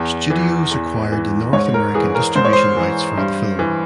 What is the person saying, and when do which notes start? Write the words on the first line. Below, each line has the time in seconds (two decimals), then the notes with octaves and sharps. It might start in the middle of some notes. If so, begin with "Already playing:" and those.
Studios acquired the North American distribution rights for the film.
Already playing: E2
0.30 E3
0.71 E2
1.12 E3
1.53 G#2 C#5
1.74 A#4
1.95 E3 G#4
2.15 A#4
2.35 G#2 C5
2.45 C#5
2.53 C5
2.77 E3
3.18 G2
3.59 E3